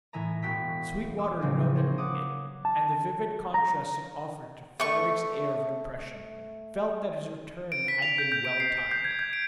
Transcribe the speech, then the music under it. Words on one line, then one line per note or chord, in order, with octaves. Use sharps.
Sweetwater, noting it, and the vivid contrast it offered to Frederick's air of depression, felt that his return had been well timed.
A2 E3 E5 G#5 A#5
E1 B3 F#4 G5 E6 B6
D6 E6
A2 C#3 F3 F#3 A#3 C4
A#3 C5 C#5
C#5 F#5 D6 D#6
A5
A#5
A3 C#6
D7
B6
F7
G6
G6
D7
C7
D7
G6
G#6
G6
D7